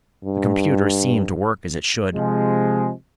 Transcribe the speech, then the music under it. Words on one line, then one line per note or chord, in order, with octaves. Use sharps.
The computer seemed to work as it should.
G2
C3 F3 G#3